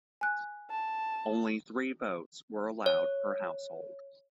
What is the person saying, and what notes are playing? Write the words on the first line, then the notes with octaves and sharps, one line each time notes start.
Only three votes were allowed per household.
G#5 F#6
A5
C#5